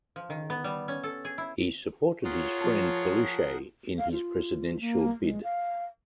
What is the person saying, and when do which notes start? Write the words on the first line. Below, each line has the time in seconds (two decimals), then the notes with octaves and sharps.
He supported his friend Coluche in his presidential bid.
0.16 F3
0.30 D#3
0.50 B3
0.64 G3
0.88 C#4
1.03 A4
1.25 G#4
1.38 E4
2.25 F4 G#4 A#4 C#5 F#5
2.61 F3 A5
3.99 F5
4.12 F4
4.81 A#3
5.21 G#3
5.44 F5